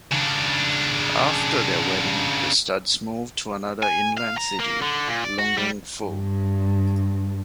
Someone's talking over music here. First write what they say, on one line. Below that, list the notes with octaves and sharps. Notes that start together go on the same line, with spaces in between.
After their wedding the Studds moved to another inland city - Lungang-Fu.
C#3 D4
G#5
F5
A#5
A#3
D3
A#2
D5
F#4
G3
G2